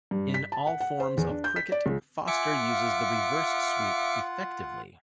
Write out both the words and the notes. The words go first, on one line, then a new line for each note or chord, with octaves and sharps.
In all forms of cricket, Foster uses the reverse sweep effectively.
G2
B6
A5
F#5
F#5
C5
E2
D4
G6
B6
D5
C#2
F4 E5 F#5 G#5 D6 C#7
F5